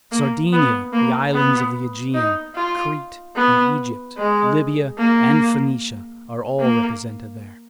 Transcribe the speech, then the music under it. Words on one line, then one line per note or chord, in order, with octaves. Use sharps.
Sardinia, the islands of the Aegean, Crete and Egypt, Libya and Phoenicia are all represented there.
A#3
B3
A#3
B3
D#4
F4
B3
G#3
A#3
A#3